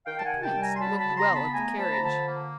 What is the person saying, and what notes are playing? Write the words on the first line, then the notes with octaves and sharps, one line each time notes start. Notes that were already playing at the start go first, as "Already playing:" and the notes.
The prince looked well at the carriage.
D#3 F5 G5
A5
F#5 G#5
C3
G5 A5
G3
G#5 A#5
C6
F#3 A5 B5
A5 B5
C#3
A#5 C6
B3
A5 B5
A3 G#5 A#5
F3 A5 B5
A#5
D3 A5 B5
A#3